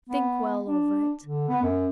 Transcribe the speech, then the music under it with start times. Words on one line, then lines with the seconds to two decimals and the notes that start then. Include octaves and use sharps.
Think well over it.
0.09 B3
0.67 D4
1.24 D3
1.49 B3
1.62 F#2